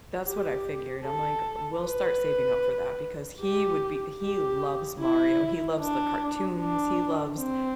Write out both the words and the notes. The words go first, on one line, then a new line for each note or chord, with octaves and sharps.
That's what I figured. I'm like, we'll start saving up for that, because he would be he loves Mario, he loves the cartoons, he loves
G4
A4
B4
G4
G4
E4
D4
D4
C4